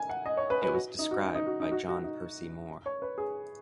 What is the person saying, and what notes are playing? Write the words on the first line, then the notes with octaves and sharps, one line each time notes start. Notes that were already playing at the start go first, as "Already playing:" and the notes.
It was described by John Percy Moore.
Already playing: G#5
F#5
D#5
C#5
B4
B4
F#4
D#4
F#4
D#4
D#4
F#4
D#4
F#4
F#4
D#4
C#5
B4
G#4